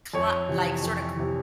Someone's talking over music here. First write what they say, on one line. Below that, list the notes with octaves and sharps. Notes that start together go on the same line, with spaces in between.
cla like, sorta
F2 C#5
C3 E3
F2
C3 E3